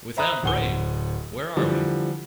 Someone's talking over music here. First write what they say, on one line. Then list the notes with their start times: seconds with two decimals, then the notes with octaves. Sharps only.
Without brain, where are we?
0.17 C5 E5 A#5 B5 D#6 F#6
0.43 D1 C5 F#5 G#5 G7
1.57 D3 E3 F3 G3